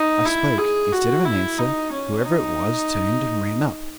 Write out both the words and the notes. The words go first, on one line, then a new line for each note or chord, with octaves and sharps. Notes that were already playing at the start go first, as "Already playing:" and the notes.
I spoke; instead of an answer, whoever it was turned and ran up.
Already playing: D#4
E4
G#4
F#4
E4
D#4
C#4
D#4